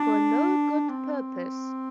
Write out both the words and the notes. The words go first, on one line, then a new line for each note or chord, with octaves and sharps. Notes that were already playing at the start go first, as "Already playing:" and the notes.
For no good purpose.
Already playing: D4
C4